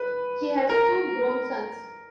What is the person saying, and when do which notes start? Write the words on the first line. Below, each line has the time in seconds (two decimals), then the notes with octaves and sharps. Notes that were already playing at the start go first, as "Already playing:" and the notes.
He has two grown sons.
Already playing: B4
0.69 A#4